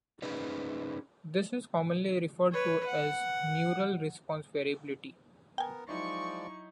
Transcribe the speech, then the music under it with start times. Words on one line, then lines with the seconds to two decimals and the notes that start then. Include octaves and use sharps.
This is commonly referred to as neural response variability.
0.22 C#4 D#4 G#4 B4 D5
2.52 B4 C#5
2.86 F#5
5.58 B3 A#4 G5 G#5
5.89 F3 F#3 G#3 D#4 E4 D5 C#6